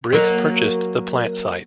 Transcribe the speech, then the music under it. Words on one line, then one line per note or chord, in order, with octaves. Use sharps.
Briggs purchased the plant site.
F#3 A#3